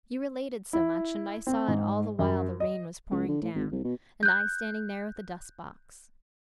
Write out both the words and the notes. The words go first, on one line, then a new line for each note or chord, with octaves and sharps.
You related so much, and I saw it all the while the rain was pouring down, and I standing there with the dust-box.
E4
C4
G#2
F#2
D#5
C#2
D3
A2
G#1
C2
B2
F#6 G6